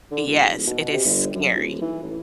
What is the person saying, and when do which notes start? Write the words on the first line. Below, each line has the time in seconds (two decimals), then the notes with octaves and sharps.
Yes, it is scary.
0.12 D3
0.27 E1
0.51 D#1
0.67 B2
0.93 C3
1.05 G1
1.35 F#2
1.55 D#1
1.81 E3
2.03 A1